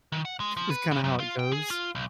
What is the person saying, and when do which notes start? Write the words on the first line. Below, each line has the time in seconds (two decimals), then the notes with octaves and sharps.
is kinda how it goes
0.12 D#3
0.25 F#5
0.40 G#3
0.57 F3
0.70 B4
0.91 C#3
1.04 F#2
1.20 F4
1.39 G5
1.52 G#4
1.70 F4
1.95 B1